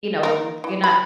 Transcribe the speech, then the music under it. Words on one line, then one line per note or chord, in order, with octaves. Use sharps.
you know, w you're not
A#3 D#4
E3
B5